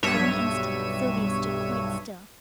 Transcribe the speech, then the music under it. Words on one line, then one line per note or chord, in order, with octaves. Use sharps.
For an instant Sylvia stood quite still.
B1 G2 C#5 E5 D#7